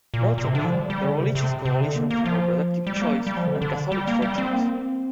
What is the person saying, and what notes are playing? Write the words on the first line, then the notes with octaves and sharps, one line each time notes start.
Notably, the Religious Coalition for Reproductive Choice and Catholics for Choice.
A#2
A#2
C3
D3
F3
G3
G3
D3
C3
C3
C3
D3
A#3
A#3
F3
G3
G3
A#3
G3
F3
D3
D3
G3
A#3
G3
C4
A#3
C4